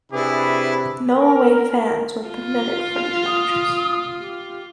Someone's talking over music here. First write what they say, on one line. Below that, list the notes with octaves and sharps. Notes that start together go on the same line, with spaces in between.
No away fans were permitted for these matches.
C3 D4 E4 G#4 B4 D6
A#4
F4
D#6
G4